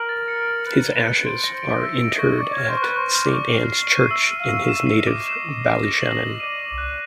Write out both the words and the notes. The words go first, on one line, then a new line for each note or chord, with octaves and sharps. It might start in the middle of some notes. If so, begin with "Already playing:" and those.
His ashes are interred at Saint Anne's church in his native Ballyshannon.
Already playing: A#4 F#7
A6
C#7
A6
B4 A6
G7
B4
C#7
C5 D7
A#6
C5
D7
E5 A#6
D7
D#5
C#6
D5 C#6
C#5
F6
C5
B4 C#6
C5 C#6
F6
D5
C#6
C7
C7
D#7
E5 E6
D#7
F5
E6
E5 E7
C7
D#5
D6
E7
E7
C7
A#6
F#7
A#6
D5 D#7
F#7
D5
F#6